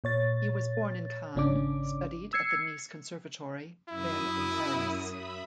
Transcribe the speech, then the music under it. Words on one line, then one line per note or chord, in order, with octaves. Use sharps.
He was born in Cannes, studied at the Nice Conservatory, then in Paris.
A#2 C#5 A6
G#1 C#3 C#4 D4 D6
E6 G#6 C7 C#7
F#2 E4 D#6
E5 B5